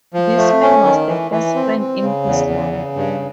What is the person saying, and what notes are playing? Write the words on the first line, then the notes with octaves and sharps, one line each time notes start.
This man was the first friend in his life.
F3
A3
C#4
D#3
E3
E3
C4
C4
C#3
E2
C#3
C#3
G2